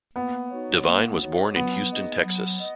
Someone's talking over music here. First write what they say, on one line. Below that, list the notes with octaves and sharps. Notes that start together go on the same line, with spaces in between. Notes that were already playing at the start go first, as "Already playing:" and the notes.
Devine was born in Houston, Texas.
A#3 B3
D#4 F#4 C#5
A#3
D#4 F#4 C#5
F#3 B3
A#3 D#4 G#4 D#5
F#3
D#5